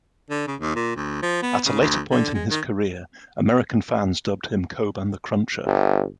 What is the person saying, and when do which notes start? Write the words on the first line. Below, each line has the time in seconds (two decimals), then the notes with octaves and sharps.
At a later point in his career, American fans dubbed him Coban The Cruncher.
0.30 D3
0.47 C#3
0.60 D#2
0.75 A#2
0.96 D2
1.22 F3
1.42 B3
1.66 C#3
1.80 D2
2.11 D3
2.34 G#3
2.50 D#3
5.66 G1